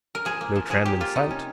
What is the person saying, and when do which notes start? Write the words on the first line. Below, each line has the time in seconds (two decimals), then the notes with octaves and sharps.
No tram in sight.
0.15 A#4
0.25 F3 G#4
0.41 A#3
0.56 F3
0.70 F3 G#4
0.85 A#3 G4
1.00 A#3 F4
1.15 C3 D#4
1.31 C#4